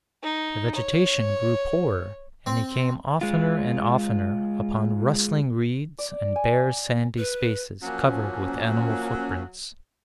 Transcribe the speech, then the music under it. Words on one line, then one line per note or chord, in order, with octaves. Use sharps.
The vegetation grew poorer and he came oftener and oftener upon rustling reeds and bare sandy spaces covered with animal footprints.
D#4
C#5
C4
G#3 F4
D5
G#5
B4
F3 F#3 A#3 C#4